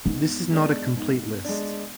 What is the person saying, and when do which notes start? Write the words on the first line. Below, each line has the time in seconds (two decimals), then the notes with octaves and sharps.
This is not a complete list.
0.05 G#2 B3
0.51 G#3 D4
0.97 G#2
1.45 G#3 D4